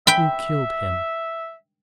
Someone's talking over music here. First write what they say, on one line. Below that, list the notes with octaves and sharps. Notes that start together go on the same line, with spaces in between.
"Who killed him?"
E5 G5 B5